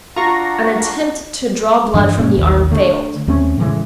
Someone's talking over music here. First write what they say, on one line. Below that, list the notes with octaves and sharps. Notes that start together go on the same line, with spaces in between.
An attempt to draw blood from the arm failed.
D4 F4 F#4 A#5 C#6 A#6
G2 E3 D4
G#2 B2 A#3 C#4
A1 D#2 D#3
D3 A3
D#2 A3 C4 C#4
A2 C#3 E3 G#3